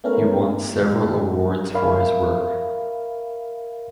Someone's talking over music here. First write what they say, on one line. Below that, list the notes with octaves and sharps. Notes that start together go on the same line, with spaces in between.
He won several awards for his work.
A3 B3 C#4 E4 A#4
A#4 C#5 E5 F5 B5